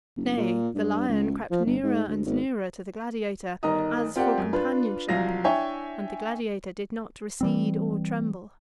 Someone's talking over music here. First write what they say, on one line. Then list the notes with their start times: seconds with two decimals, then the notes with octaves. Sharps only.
Nay, the lion crept nearer and nearer to the gladiator, as for companionship; and the gladiator did not recede or tremble.
0.17 F#1
0.37 A#2
0.75 G2
1.09 C#2
1.51 F3
1.65 G1
1.84 G#2
2.08 D2
2.26 G#1
3.63 G1 D#3 D#5 A#5 D#6
4.16 C4 F4 G4 A#4 D5 F#5
4.38 F#2
4.53 D4 F4 B4
5.09 C2 F3 F#3 F5 A#6
5.44 D4 E4 C#5 E5 G5 G#5
7.41 E3 G3 C4